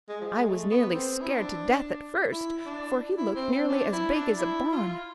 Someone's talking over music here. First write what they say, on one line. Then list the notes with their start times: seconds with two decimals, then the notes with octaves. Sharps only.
I was nearly scared to death at first, for he looked nearly as big as a barn.
0.09 G#3
0.21 F3
0.27 G#3
0.40 G#3
0.49 A3
0.72 B3
0.95 C4
1.21 E4
1.29 D4
2.32 E4
2.66 D4
3.18 E4
3.35 C4
3.52 C4
3.69 D4
3.93 E4
4.15 D4
4.38 E4
4.72 F4